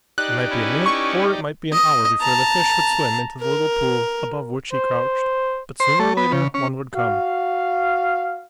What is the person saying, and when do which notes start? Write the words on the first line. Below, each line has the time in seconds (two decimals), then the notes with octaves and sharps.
It might be a minute or it might be an hour before the fish would swim into the little pool above which he crouched, but sooner or later one would come.
0.18 D#4 G4 D5 F#6
0.50 C#4 E4 B4
0.86 C#6
1.72 D#5
2.21 A5 A#5
3.40 A#4
4.72 C5
5.80 C5
6.00 A3
6.17 B3
6.32 C#3
6.54 C#4
6.95 F#4 F5